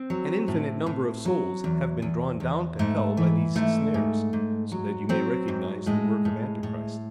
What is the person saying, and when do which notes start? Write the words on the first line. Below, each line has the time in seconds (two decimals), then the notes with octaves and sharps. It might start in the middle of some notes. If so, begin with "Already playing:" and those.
An infinite number of souls have been drawn down to hell by these snares, so that you may recognise the work of antichrist.
Already playing: C4
0.10 F#3
0.48 A2
0.86 A2
1.25 F#3
1.64 E2
2.02 E2
2.40 E2
2.79 G#2 A3
3.17 E3
3.56 G#2 A3
3.94 G#2
4.33 G#2
4.72 F#3
5.09 F#3 C4
5.48 G#2
5.86 A2 G#3
6.25 A2
6.63 A2